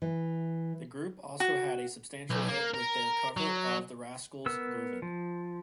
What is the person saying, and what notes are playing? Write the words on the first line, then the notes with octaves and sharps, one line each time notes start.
The group also had a substantial hit with their cover of the Rascals' "Groovin'".
E3
F#4
B1
A#3
A#4
F#3
B3 A#4 E6
F3